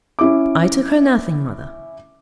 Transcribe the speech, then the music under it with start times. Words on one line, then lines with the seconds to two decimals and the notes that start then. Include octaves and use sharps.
'I took her nothing, Mother.
0.19 C#4 E4 D6